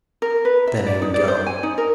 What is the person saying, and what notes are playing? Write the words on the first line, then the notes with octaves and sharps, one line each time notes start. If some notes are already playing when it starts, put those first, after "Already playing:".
Then he would go.
A#4
B4
E5
D5
D#4
D5
C5
G#5
D#4
A#4